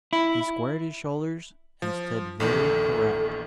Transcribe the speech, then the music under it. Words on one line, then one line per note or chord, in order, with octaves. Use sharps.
He squared his shoulders and stood very erect.
E4
F3
A#1 E2 D#3 A4